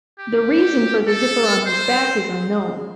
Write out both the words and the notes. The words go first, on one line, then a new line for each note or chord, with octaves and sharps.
The reason for the zipper on his back is unknown.
G4
A4
C5